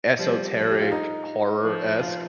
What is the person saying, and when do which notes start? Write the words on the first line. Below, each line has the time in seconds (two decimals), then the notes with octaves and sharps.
esoteric, horror-esque
0.18 F3 G3
0.55 F3
0.71 G4
0.82 F4
0.92 D#4
1.64 F3
2.01 F4